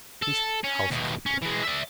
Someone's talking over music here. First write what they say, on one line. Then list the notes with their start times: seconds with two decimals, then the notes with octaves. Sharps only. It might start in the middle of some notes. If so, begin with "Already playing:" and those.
She's housekeeper.
0.22 A4
0.64 C#4
0.91 D#2 B2
1.26 C#4
1.42 E3 G#3
1.63 D5 E5